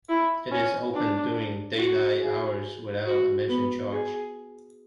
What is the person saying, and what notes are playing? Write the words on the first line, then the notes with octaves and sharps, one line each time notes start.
It is open during daylight hours without admission charge.
E4
C#4
D4
F#4
G#4
F#4
B3
G#4